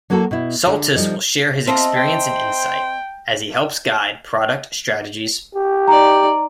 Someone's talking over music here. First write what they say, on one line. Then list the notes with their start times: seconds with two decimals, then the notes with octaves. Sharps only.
Soltis will share his experience and insight as he helps guide product strategies.
0.10 F#3 A#3 E4 F#4 A4
0.31 B2 E4
0.67 D3
0.96 F3 G3 D#4
1.67 C4 F4 A4 D#5 E5
1.96 C5 G5
5.55 G4
5.88 D#4 D5 A#5